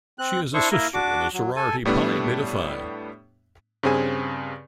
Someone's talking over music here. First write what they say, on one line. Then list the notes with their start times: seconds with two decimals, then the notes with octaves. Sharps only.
She is a sister in the sorority Pi Beta Phi.
0.19 C4 F#6
0.54 D4 E4 C5 C#6
0.71 A#3 E4 A#4
0.94 D4 F#4 D6
1.33 F#3
1.56 A4 G#5
1.85 A2 G3 A3 B3 D4
3.83 G2 C#3 C4 G#4 G#5